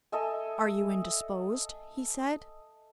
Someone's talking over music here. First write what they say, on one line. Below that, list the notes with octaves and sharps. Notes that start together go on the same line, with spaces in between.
"Are you indisposed?" he said.
A4 D#5 E5 G#5